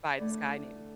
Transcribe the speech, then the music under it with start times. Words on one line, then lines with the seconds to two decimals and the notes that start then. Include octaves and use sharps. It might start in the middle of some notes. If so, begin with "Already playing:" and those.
by this guy named,
0.18 D3 A3 E4 D5